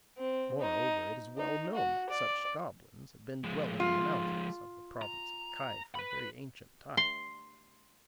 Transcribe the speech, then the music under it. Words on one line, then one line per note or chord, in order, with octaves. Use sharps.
Moreover, it is well known that such goblins have been dwelling in the mountains of the province of Kai from very ancient time...
C4
D#4
D#4
F#4
D5
F3 G#3
F4
A#5
B4 B5
C6